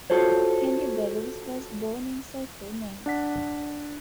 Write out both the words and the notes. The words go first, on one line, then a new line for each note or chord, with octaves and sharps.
Henry Barrows was born in Saco, Maine.
F4 F#4 A4 C5 C#5
D4 F#5 B6